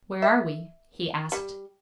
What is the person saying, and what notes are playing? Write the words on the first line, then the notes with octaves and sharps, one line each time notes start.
'Where are we?' he asked.
E5
G3